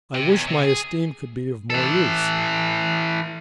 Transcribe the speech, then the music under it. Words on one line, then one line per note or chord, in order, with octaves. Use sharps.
I wish my esteem could be of more use.
C3
E2
C3
G#4
E3 A4